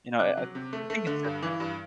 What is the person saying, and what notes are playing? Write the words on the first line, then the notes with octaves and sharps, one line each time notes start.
you know, I I I think it's different.
C3 D6 F#6
F#3
C3
A3
A3
D3
G2
E3
G2